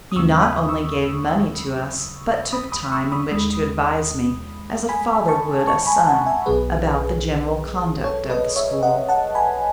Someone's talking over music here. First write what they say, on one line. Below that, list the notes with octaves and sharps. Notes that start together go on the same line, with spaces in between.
He not only gave money to us, but took time in which to advise me, as a father would a son, about the general conduct of the school.
D#6
D#2 C#3 F#3 A3 C#6 E6
B5 D#6
C#6 E6
B5 D#6
B5 D#6
C#6 E6
B5 D#6
D#2 D#3 G#3
G#5 B5
A5 C#6
A5 C#6
G#5 B5
G#5
F#5 A5
E5 G#5
B1 B2 F#3 G#4 B4
A4 C#5
B4 D#5
C#5 E5
D#5 F#5
F#5 A5
G#5 B5